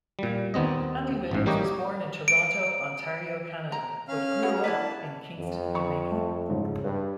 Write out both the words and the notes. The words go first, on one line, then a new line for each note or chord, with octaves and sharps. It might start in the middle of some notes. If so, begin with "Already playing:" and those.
Andy Williams was born in Toronto, Ontario, Canada, but grew up in Kingston, Jamaica.
A#2 G3
D#2 B3 C4 D#5
A1 G#2
G3 A#3 G4 C#5 D#5
D7
A#5
C#4 F5 F6
B3 F#4 G#4
A#3 D4 E4 B4 A5
F2
C#6
A3
G#2 C#3
G2 B4